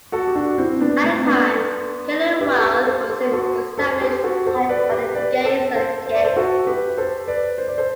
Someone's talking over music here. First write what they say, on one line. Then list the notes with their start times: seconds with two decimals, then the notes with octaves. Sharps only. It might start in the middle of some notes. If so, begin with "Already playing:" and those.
At the time, Kelly Wilde was an established act on the gay circuit.
0.12 F#4 A4
0.27 G4
0.36 D4 F#4
0.58 C4 E4
0.81 B3 D4
1.03 A3 C4
1.26 B3 D4
2.41 G4 B4
2.59 A4
2.63 G4 B4
2.86 A4 C5
3.09 A4 C5
3.32 F#4 A4
3.78 A4 C5
3.91 C5
4.01 G4 B4
4.23 F#4 A4
4.46 A4 C5
4.69 B4 D5
4.92 G4 B4
5.15 B4 D5
5.45 A4 C5
5.76 A4 C5
6.06 C5
6.15 D5
6.24 A4 C5
6.36 F#4 A4
6.67 G4 B4
6.97 A4 C5
7.28 B4 D5
7.58 C5
7.68 D5
7.78 A4 C5